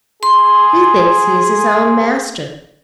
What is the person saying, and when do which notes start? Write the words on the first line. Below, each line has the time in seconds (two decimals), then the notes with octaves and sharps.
He thinks he is his own master.'
0.23 G#4 C6